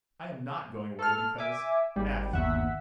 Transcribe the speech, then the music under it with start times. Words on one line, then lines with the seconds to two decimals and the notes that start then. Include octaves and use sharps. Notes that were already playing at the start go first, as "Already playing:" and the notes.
I am not going away because ... ech!
0.99 A4 F6
1.38 E5 G#5 D6
1.96 G#1 G3
2.33 G1 D#2 E5 F#5